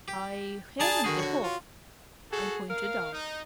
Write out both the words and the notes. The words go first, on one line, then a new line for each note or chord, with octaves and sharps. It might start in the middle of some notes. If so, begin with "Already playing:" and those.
"I haven't a cough," I pointed out.
G4
D4 G#4 D5 A5 A#5
D3 D#3 F#4 G#4
F#4 C#5
F4
F#4 G#4 A4
A#4 F5
D#4